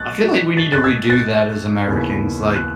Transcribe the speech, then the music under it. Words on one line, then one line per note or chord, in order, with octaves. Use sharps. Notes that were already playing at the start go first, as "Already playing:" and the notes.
I feel like we need to redo that as Americans. Like,
Already playing: B1 A3 F#6 A6
A6
F#6 A6
E6 G#6
F#6 A6
D#2 C#3 E3 B3
F#6